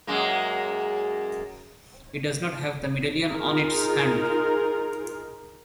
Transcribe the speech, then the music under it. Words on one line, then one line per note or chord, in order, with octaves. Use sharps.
It does not have the medallion on its hand.
F#2 G#3 A#3
D#4 F4 G#4 A#4